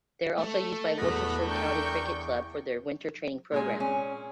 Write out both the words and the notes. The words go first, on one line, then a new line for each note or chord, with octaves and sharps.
They are also used by Worcestershire County Cricket Club for their winter training programme.
A3
E2 B3 F#4 B5 A#6
D4 A#4 G5 C#6 G6
A#2 G#3 G#5
C#4